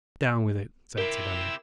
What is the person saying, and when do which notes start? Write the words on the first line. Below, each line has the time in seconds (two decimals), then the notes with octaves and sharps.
"Down with it," said Sir Daniel.
0.98 C4 E4 G4 A#4 E6